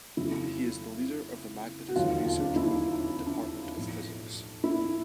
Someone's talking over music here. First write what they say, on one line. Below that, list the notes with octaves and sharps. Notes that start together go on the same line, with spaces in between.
He is the leader of the magnetism research group at the Department of Physics.
F2 C#3 F#3 A3 E4
F#4
E1 D#2 D3 F#3 F4
F4
D4
D#4
E4
D#4
D4
D4
B1 A2 F3
E4